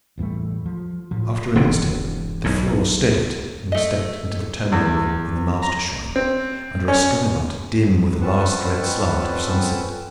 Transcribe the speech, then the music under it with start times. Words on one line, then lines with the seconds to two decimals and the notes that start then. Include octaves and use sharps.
After an instant the floor steadied and we stepped into the terminal room in the Mastershrine, under a skylight dim with the last red slant of sunset.
0.18 A1 E2 G3 A3
0.66 F3
1.11 A2 F3
1.56 E1 G2 C3
2.44 B1 G#2
3.72 A3 D#5
4.72 E2
5.62 A#5
6.16 C4
6.88 C#4
8.21 F2 C4 C#4 B4 F#5 A5